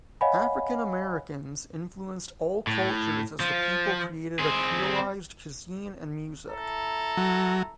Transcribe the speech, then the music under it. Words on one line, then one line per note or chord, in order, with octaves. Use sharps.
African Americans influenced all cultures as the people created a creolized cuisine and music.
C#5 D#5 F5 F#5 G#5 B5
A2
F3
C4 G#4
E4 A4 A#5
F#3